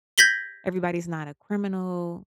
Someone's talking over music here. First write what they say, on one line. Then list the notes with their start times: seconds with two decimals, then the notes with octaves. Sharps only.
everybody's not a criminal.
0.18 G6 G#6 A#6 B6 F#7 G7